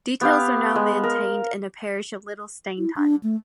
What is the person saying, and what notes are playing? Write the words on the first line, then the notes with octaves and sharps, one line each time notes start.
Details are now maintained in the parish of Little Stainton.
B3 G4 F5
G#3
A#4
E4
D4
A3